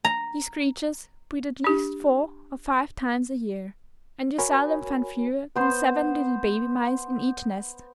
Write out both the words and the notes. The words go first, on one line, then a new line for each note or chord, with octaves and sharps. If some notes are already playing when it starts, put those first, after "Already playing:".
These creatures breed at least four or five times a year; and you seldom find fewer than seven little baby-mice in each nest.
A#5
D4 G4
F#4 A#4 C#5 G#5 B5
B3 C5 C6